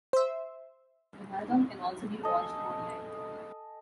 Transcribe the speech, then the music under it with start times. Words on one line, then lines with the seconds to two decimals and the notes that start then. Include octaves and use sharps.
The Marathon can also be watched online.
0.13 C5 E5
2.23 A4 D#5 G#5